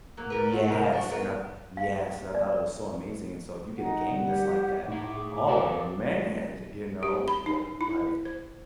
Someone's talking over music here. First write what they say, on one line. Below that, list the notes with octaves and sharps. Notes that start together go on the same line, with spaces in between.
Yes, and I th yes, and I thought it was so amazing, and so, if you get a game that's like that, oh, man! Th you know, w what, like
F#3 A#3
G3 A#4 B4
A2 C4 F#4
E2 C3 A#4
D4 F#4
B3 A#4
F5
D5
D#4 F#5
G3
G4
A2 D#4 E4 D6
G#4
F#4 A4 A#4 F5
G4
B5
D#4
E4
C5